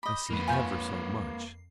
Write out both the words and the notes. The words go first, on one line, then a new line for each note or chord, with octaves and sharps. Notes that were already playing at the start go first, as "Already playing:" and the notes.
I see ever so much.
D#5 B5 D6 G6
F2 A#3 B4 C7
F4 C#5 G#5 G6